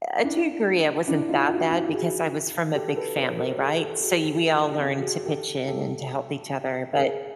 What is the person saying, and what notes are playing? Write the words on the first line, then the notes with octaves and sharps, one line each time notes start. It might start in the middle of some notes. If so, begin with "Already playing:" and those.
Eh, to agree I wasn't that bad, because I was from a big family, right? So, you we all learned to pitch in and to help each other, but
D4 E4
D4 E4
D#4 F4
F4
E4 F#4
E4 F#4
F#4 G#4
G4 A4
A4 B4
B4 C#5
A#4 C5
G#4 A#4
G4 A4
F#4 G#4
G4 A4
G4 A4
F#4 G#4
G4 A4
G4 A4
G#4 A#4